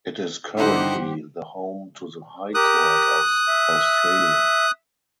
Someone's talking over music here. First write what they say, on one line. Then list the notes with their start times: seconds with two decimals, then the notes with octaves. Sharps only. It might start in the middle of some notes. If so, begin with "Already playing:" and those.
It is currently the home to the High Court of Australia.
0.57 G2 D3 D#4 E4 G4 C5 F#5
2.55 G4 A#4 D#6 F#6
3.48 E5